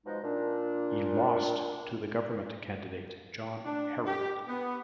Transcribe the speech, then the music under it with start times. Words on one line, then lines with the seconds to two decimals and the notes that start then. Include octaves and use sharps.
He lost to the Government candidate, John Harold.
0.05 B2 F3 G#3 D#4
0.23 A#2 D4
3.65 D4
4.06 G4
4.48 B3